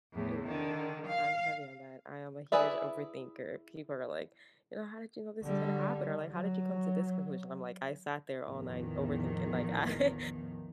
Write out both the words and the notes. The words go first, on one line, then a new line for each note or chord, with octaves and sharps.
Yeah, I'm heavy on that. I am a huge overthinker. People are like, "You're how did you know this was gonna happen?" Or like, "How did you come to this conclusion?" I'm like, "I sat there all night overthinking," like, I
E2 A2
D3 D#3
F5
E4 G#4 B4 D5 E5
D3 G3
F#3
A1 E2 D#3 F3